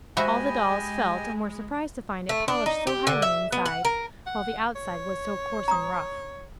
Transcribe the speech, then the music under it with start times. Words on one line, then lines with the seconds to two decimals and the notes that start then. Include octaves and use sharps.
All the dolls felt and were surprised to find it polished so highly inside, while the outside was so coarse and rough.
0.17 G#3 F#4 G4 C5 D#5 E5 G#5 B5
2.29 A3
2.48 D4
2.66 D#4
2.87 G4
3.07 D3
3.22 E5
3.52 B3
3.66 F#5
3.85 A#4
4.26 F#5
4.76 C#5
5.68 A#5 D#6